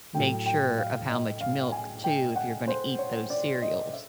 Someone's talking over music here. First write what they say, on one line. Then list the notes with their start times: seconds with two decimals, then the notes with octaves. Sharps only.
make sure of how much milk, too, if you're gonna eat those cereals
0.14 A2 F#3 A3 G5
0.46 G5
0.78 F5
1.09 D#5
1.41 F5
1.72 G#5
2.04 G5
2.36 F#5
2.68 C5
2.99 C#5
3.30 D5
3.62 D#5
3.93 E5